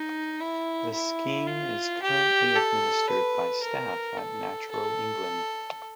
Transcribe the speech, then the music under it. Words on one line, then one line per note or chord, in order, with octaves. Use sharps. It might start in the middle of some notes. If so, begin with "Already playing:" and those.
The scheme is currently administered by staff at Natural England.
Already playing: D#4
E4
E4
F4
G4
A4
B4
A#4
A4
A4